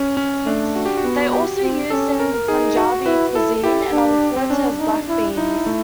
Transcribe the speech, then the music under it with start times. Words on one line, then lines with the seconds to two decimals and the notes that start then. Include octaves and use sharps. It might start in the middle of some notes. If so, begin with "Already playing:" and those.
They are also used in Punjabi cuisine and are referred to as black beans.
Already playing: C#4
0.17 C#4
0.46 A3 D4
0.75 F#4
0.86 G4
0.97 F#4
1.04 B3
1.33 G4
1.62 C4
1.90 C#4 A4
2.20 A#4
2.34 A#4
2.48 D#4 G#4
2.77 F#4
3.06 E4 B4
3.35 E4 A4
3.63 E4 G4
3.92 D4
4.36 C4
4.50 C#4 D4
4.79 D#4
5.09 E4
5.37 D#4 E4
5.66 A3